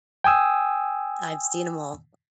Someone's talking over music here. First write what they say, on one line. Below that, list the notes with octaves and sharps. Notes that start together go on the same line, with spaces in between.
I've seen 'em all
G5 G#5 D#6 E6